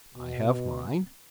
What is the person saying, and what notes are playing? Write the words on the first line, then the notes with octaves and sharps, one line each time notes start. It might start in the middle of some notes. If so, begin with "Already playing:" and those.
"I have mine."
B2